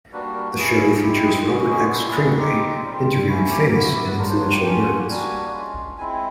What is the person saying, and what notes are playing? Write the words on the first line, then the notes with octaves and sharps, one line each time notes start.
The show features Robert X. Cringely interviewing famous and influential nerds.
G3 A#3 D4 F#4 B4
A#4
A#3 C#4 E4 G#4
G#4
G#3 C4 E4 G4
G#4
G#3 C#4 F#4 G#4
G#4
G3 A#3 C#4 E4 A4
G#4
G#3 C4 D#4 G4
G3 C4 F4
A#3 C#4 E4 F#4
G4
B3 E4 F#4
F#4
G4
B4
F#3 A#3 D4 F4 A#4
C5
C#5
G5
A#3 C#4 F4 G5
F#5
G3 A#3 D4 F#4 G#5
G#3 C#4 F4
G#3 C4 E4 G#5